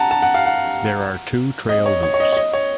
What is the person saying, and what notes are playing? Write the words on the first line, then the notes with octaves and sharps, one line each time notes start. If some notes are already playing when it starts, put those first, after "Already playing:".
There are two trail loops.
Already playing: F#5 A5 A#5
A5
F#5
F5
F#5
D#5
C#5
C#5
C#5
D#5
C#5
D#5
C#5